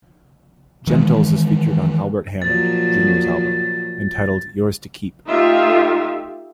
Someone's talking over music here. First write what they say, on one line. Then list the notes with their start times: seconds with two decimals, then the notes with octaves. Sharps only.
Gentles is featured on Albert Hammond, Junior's album, entitled Yours to Keep.
0.87 D#3 E3 G#3
2.42 A#2 F3 F#3 A6
5.27 A3 D#4 F4 G4 E5